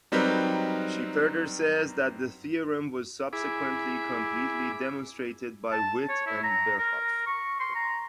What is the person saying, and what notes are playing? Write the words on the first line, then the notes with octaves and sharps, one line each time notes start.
She further says that the theorem was subsequently completely demonstrated by Witt and Birkhoff.
F#3 G3 C4 D#4 A#4 B4
E4 G#4 B5 D6
A5
C#5
E4
A#5
A#4
C#6
C6
A#5